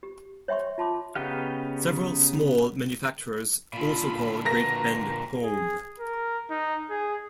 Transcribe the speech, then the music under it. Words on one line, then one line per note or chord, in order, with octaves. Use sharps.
Several small manufacturers also call Great Bend home.
G4
C#5 E5 G5 C6 C#6
F4 A5 C6 D6
C#3 B3 D#4 G4 F5
A#2 D3 F4 B5
F#4 A#4 B4 A#6
G#4
A#4
D#4
G#4